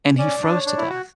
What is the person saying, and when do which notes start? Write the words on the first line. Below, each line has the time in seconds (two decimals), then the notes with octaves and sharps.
and he froze to death.
0.18 C#4 D5
0.42 D4
0.54 C#5
0.66 D4
0.78 E4
0.89 F#4